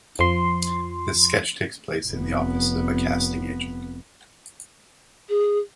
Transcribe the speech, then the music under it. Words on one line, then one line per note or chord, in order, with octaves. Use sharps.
The sketch takes place in the office of a casting agent.
F2 F3 C6
F1 B3
G#4